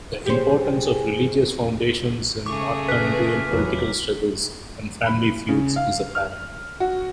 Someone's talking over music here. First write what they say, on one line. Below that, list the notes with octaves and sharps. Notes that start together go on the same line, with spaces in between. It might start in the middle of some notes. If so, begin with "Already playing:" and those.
The importance of religious foundations in Northumbrian political struggles and family feuds is apparent.
G4 G#4 C5
C#3 A3 G#4 C#6 D6
B4 F6 B6
F1 E2 F#3
B5
C#3
F5
F6
F#4